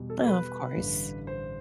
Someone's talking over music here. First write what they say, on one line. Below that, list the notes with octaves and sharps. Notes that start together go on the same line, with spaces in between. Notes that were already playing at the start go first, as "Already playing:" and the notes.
Oh, of course.
Already playing: E2 B2 G3
A4
B4
A1 G2 D3
C5